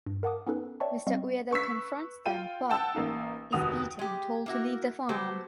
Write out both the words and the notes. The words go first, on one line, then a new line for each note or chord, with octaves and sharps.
Mister Ueda confronts them but is beaten and told to leave the farm.
G2
A#4 F5 F#5 A5 D6 D#6
B3 C#4 D#4 A4 B4
C#5 D5 E5 G5 A5 C#6
G3 C4 C#4 D#5 F5 C#6
B4 C#6 E6 B6
F4 G5 D#7
F#5 G5 A5 E6
A1 A#3 D#4
F1 D#2 F#4 D#6 F7
G#3 G4
A#3 E4 F#4
F#3 A3 B3 G4 C5